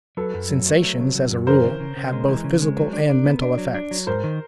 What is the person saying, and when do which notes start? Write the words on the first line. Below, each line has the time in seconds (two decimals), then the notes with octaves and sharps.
Sensations, as a rule, have both physical and mental effects.
0.17 F#3 A4 B4
0.34 F#2
0.50 F#3
0.66 A3
0.82 F#3
0.99 C#3
1.15 F#3
1.31 F#2
1.47 E3 A#4 C5
1.64 C#3
1.80 C#3
1.97 C#3
2.13 G#3
2.28 E3
2.44 C#3
2.61 G#3
2.77 F#3
2.93 D4
3.10 D4
3.26 B3
3.42 D4
3.58 F#3
3.75 D4
3.91 F#3
4.07 G#2 A#4 C5
4.24 D#3